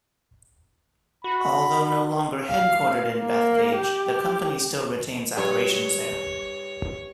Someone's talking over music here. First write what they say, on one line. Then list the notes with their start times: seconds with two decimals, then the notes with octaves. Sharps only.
Although no longer headquartered in Bethpage, the company still retains operations there.
1.24 F#4 B5
2.48 F5
3.19 A#3
3.77 G4
5.37 G2 C#5